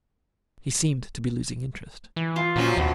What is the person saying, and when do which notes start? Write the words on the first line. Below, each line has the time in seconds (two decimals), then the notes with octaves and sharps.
He seemed to be losing interest.
2.16 E3
2.36 F4
2.56 A#2 F3 F#3 C#4
2.77 D#2 B2